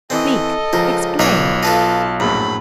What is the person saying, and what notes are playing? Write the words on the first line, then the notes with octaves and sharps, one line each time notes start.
Speak, explain!
E3 C4 A4 D#5
C#2 F3 A#4
B1 B4 C#5 D5
F4 A4 B4 D#5 A5
A#1 F#2 A2 B5